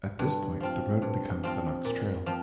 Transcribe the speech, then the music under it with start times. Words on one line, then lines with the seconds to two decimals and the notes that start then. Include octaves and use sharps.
At this point the road becomes the Knox Trail.
0.19 G2
0.60 F3 C4 F4
1.02 G2
1.43 F3 C4 F4
1.85 A#2
2.26 F3 C4